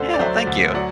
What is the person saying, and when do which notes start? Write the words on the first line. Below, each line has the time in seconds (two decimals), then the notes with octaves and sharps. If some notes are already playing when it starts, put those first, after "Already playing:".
Yeah, well, thank you.
Already playing: D2 D3 A4 C5
0.14 D5
0.19 F#3 C5 E5
0.47 D2
0.74 F#3 D5 F#5